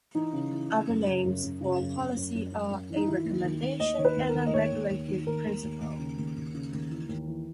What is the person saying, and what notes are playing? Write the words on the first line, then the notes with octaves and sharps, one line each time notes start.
Other names for a policy are a "recommendation" and a "regulative principle".
E3 D#4
C#3
E3
C#3
F#2
C#3
F#2
F#2
C#3
F#2
F#2
F#2
F#2
F#2
F#2
E3
D#4
D#3 E4
D#2
D#3
D#3
D#2 D#5
D#3 C#5
B4
D#2
A#4
D#3
D#5
D#2 C#5
D#2
D#2
D#3
D#2 A#4
D#2
D#2
D#2
C#3
D#2
D#2
C#3
D#2
E3
D#2
E3